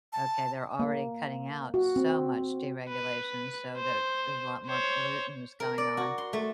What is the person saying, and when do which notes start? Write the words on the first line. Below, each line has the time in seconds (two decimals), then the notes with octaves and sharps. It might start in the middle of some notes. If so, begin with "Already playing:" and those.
Okay, they're already cutting out so much deregulation, so there there's a lot more pollutants going on.
0.13 A5
0.79 A#3
1.74 F#4
1.96 C4
2.89 B4
3.77 C5
4.67 C5 C#5
5.60 A#4
5.78 D5
5.97 F#4
6.18 C6
6.33 A3